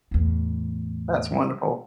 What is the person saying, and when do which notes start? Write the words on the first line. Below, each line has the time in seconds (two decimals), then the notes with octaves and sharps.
That's wonderful.
0.11 E2 A2